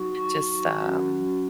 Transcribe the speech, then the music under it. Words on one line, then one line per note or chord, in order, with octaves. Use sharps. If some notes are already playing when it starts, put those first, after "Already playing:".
just, um,
Already playing: F#3 D#4 F#4 C#6
C#6
F#3 C#4 F#4